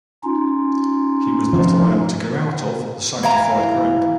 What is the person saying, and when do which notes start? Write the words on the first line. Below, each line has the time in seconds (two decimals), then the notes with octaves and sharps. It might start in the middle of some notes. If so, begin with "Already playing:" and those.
He was not allowed to go out of the sanctified ground.
0.24 C#4 D#4 F4
1.53 F3
3.23 E3 F5 A#5